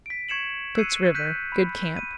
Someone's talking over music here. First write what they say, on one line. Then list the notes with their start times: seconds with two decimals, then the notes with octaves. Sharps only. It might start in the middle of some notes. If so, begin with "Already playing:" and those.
Soot's River.--Good camp.
0.06 B6 D7
0.29 C#6 G#6 C#7 E7 F#7
0.75 E6 F#6 G#6 C7 C#7 D#7
1.14 F#6 G6 B6 D#7
1.52 B5
1.97 D#7